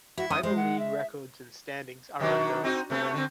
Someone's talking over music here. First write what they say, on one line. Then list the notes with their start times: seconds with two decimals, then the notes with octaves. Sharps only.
Final league records and standings are unknown.
0.17 E4 F#4
0.30 C#4 D#6
0.43 G#3 C5
0.57 F#5
0.79 E5
2.20 D#3 F#3 D4
2.64 C4 D#4 F#4
2.90 C3 A3 B3
3.14 D3 C4